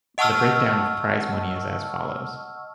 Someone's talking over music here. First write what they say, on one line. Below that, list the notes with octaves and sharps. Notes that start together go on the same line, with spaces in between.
The breakdown of prize money is as follows.
D#5 F#5 A5 C#6 E6 F6